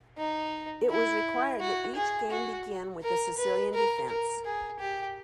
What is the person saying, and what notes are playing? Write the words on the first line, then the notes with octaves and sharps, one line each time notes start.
It was required that each game begin with the Sicilian Defense.
D#4
E4
F#4
G#4
F#4
A#4
B4
A#4
A#4
G#4
G4